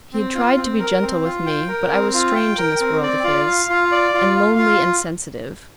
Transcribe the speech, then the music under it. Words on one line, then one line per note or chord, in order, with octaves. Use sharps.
He had tried to be gentle with me; but I was strange in this world of his, and lonely and sensitive.
C4
F4
C4
A#4
C4
F4
G5
A#4
C4
F4
G5
A#4
C4
D5
F4
F5
F4
D5
F4
F5
F4